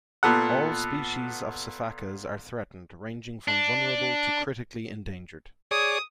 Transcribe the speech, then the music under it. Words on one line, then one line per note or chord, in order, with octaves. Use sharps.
All species of sifakas are threatened, ranging from vulnerable to critically endangered.
A#2 B3 A4 F#5
D4
G#4 C#5 D5 D#6